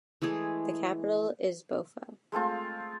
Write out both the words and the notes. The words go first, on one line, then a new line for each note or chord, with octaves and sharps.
The capital is Boffa.
E3 G#3 A3 G#4
G#3 A3 C4 F4